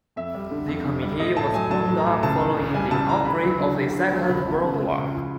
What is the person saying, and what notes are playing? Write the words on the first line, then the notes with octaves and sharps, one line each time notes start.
The Committee was wound up following the outbreak of the Second World War.
F2 E5
G3
D3
F2
F2
G3
A2 D#5
A2 A5
F#3 G#5
F#3 A5
A2
A#5
A2
C#2 A5
E3
C#3
G3 G#5
C#2 A5
E3 A#5
D2 B5
F#3
D3
D2
D2
F#3
C#2 B5
F3
C#3
G#3
C#2
F3